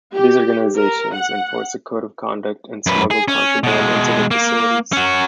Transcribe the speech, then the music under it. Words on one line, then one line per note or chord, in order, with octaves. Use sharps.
These organizations enforced a code of conduct and smuggled contraband into the facilities.
G4
A#4
F#5
F#2 B4
G#4
C#4
B2 G#3
A#3
C#4 F#4